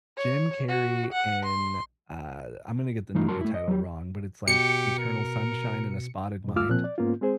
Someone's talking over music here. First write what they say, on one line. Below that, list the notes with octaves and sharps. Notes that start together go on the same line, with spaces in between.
Jim Carrey in uh, I'm gonna get the movie title wrong, but it's like Eternal Sunshine in a Spotted Mind.
C#5
F#4
F#5
C6
E3 A3 D#4 F4
F#2 F#4 A#4 A5 C6
A3 E4
D#5
F#3 G4
B2 G4 C#7
A#4
G#2 B2
D2 A3 F4 D6 E6 F6
A#2 F3 C4 F#6
D5
G#2 A#3 B3 C#4 F4
G#3 C4 G#4 C5